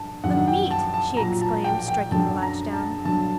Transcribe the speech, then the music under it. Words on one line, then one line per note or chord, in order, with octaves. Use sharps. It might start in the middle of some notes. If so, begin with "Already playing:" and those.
"The meat!" she exclaimed, striking the latch down.
Already playing: G2 A5
F#2 D#3 F#3 F#5
G5
A5
A5
A#2 F#3 A#5
A5
G5
G5
F#2 D3 F#3 A5
A#5
A5
G2 D3 F#3 A5